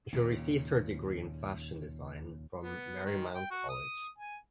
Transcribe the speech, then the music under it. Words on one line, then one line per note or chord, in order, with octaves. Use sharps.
She received her degree in fashion design from Marymount College.
D#2 A#2 C#3
B3
D#3
G5
F#4
D#6
G#5